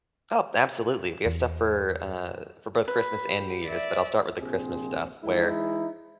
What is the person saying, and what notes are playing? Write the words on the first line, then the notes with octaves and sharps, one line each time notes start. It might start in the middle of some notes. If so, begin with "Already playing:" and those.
Oh, absolutely. We have stuff for, uh for both Christmas and New Year's, but I'll start with the Christmas stuff where,
E2
B4
G4
D5 E5
A#1 C3 F3 C4 G#4
E3 G#3 D#4 E4